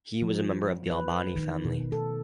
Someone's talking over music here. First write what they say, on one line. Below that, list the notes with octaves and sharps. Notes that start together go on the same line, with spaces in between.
He was a member of the Albani family.
F3
B4
D#3
B2
A4